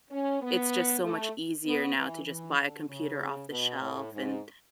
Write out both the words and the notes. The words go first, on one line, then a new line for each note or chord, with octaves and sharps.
it's just so much easier now to just buy a computer off the shelf and
C#4
B3
A3
B3
E3
E3
D3
C#3
B2
A2
G#2